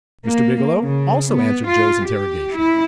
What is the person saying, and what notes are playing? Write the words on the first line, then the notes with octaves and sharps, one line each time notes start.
Mr. Biggielow also answered Joe's interrogation.
A#3
C#3
B3
F4
G4
E4